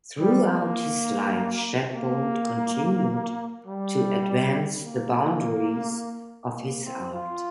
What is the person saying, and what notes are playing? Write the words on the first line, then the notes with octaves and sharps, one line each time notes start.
Throughout his life, Shadbolt continued to advance the boundaries of his art.
G3
A#3
A#3
G3
A#3
A#3
C4
F4